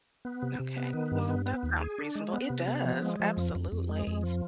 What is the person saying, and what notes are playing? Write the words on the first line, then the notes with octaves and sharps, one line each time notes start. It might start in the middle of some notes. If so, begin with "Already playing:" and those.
Okay. Well, that sounds reasonable. It does, absolutely
B3
C3
C3
B3
D#3
G2
B3
B3
D#2
G#4
D4
G#3
B3
C3
B3
F3
G#3
F3
F2
F2
F2
G#3
F2
F3